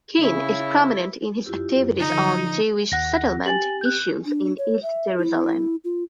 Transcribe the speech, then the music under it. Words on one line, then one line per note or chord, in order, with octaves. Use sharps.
King is prominent in his activities on Jewish settlement issues in East Jerusalem.
C#3 E4
F#2 E4 F4 G4
D3 F3 D#4 F4
D#2 F#5 F#6 A#6
G4 G#5 A6 F#7
F#6 G6
D4
C#5
E5
E4
F4